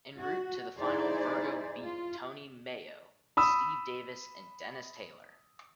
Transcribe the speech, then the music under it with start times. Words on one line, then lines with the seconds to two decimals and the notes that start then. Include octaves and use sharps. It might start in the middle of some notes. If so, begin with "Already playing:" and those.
En route to the final Virgo beat Tony Meo, Steve Davis and Dennis Taylor.
0.19 F#4
0.78 D#4 E4 G#4 C5 D5
1.82 F4
3.37 B5 D#6 E6